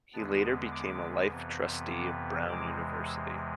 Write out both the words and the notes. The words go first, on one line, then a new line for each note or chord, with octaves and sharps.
He later became a Life Trustee of Brown University.
E2 D3 G#3 B3 A5
D6
D6
F2 C3 E3 B3
D6
E2 C3 E3 G#3 D6
E6